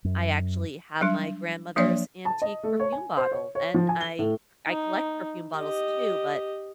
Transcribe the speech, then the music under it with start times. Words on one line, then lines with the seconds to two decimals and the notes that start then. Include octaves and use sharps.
I actually have my grandmother's antique perfume bottle, and I I collect perfume bottles too, but
0.05 F#2
1.01 F#3 G3 D4
1.76 F3 F#3 A#3 D4 C#5 D5
2.25 A5
2.42 D#5
2.63 A3
2.80 C#5
2.92 G#5
3.17 C5
3.32 C#5
3.55 C#5
3.74 F3
3.89 G#5
4.01 G7
4.19 A2
4.67 D#4
5.55 G4 D#5